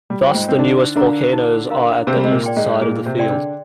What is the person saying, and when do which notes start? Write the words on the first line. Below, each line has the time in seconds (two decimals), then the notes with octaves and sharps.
Thus, the newest volcanoes are at the east side of the field.
0.10 G3
0.22 F4 C5 G5
0.34 G#2 G#3
0.48 C4
0.59 D3 D4 D#4
0.96 D3 D4 A#4 F5 A#5
1.33 D#4
1.70 A#4 F5 A#5
2.07 C3 C4 G#4
2.16 G3
2.24 G#3
2.32 A#2 A#3
2.44 D5 G5 C6
2.57 G#2 G#3
2.81 A#2 A#3 G#4
3.06 C3 C4
3.19 D5 G5 C6
3.31 D3 D4